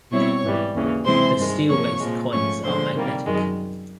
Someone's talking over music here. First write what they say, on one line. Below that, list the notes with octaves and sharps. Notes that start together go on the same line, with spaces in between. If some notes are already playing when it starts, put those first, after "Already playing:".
The steel-based coins are magnetic.
B2 G3 C4 E4 C#5 C#6
G#2 E3 G3
D#2 C#3 E3
C3 E3 G#3 C4 E4 C5 C6
G2 D#3 G#3
C3 F3 A#3 C#5 C#6
A#2 F3 G#3
G#2 F3 A3 C#4 C#5 C#6
D3 F3 G#3 C5 C6
C3 D#3 G3 A#3
F#2 D#3 G#3